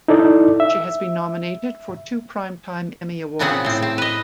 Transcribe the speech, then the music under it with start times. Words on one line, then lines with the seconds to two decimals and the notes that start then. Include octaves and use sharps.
She has been nominated for two Primetime Emmy awards.
0.08 D#4 E4 A4 D5
0.60 E5
3.39 A#2 C#3 B3 C4 G#4 F#5
3.65 A2 C4
3.82 C4
3.98 B4 D#5